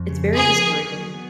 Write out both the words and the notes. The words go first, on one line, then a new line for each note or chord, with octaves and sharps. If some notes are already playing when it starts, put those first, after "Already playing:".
It's very discouraging.
Already playing: F2
C#3
F3 G#4
A#3
F#3
B3